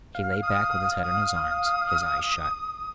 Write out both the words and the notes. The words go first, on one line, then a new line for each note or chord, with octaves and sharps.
He lay back with his head on his arms, his eyes shut.
F5
D#6
D#6